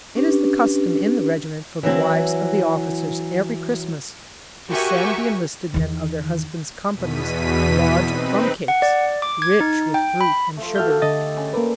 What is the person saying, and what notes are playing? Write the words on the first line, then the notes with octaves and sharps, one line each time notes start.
It is the custom in the regiment for the wives of the officers every Christmas to send the enlisted men of their husbands' companies large plum cakes, rich with fruit and sugar.
C#4 D4 G4 B4
E3 F#3 C4 E4
F#4 G4 A#4 E5 G#5 C#6
E2 D#3
E2 B2 B6 D#7
C4 D#4 B4
F#5
D5
D6
G#6
D#4
G5
B5
F3 A3
A3 F#4 G4 A4 F6 G6
D3 D#5 A6
C#3
A#3 A#4 B4 D5